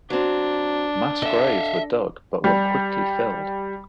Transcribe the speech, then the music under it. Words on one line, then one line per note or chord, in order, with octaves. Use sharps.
Mass graves were dug but were quickly filled.
F#3 C4 D4
A4 D#5 E5
G3